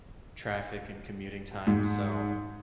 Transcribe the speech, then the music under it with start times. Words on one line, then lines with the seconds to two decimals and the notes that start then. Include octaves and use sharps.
traffic and commuting time, so
1.67 G#2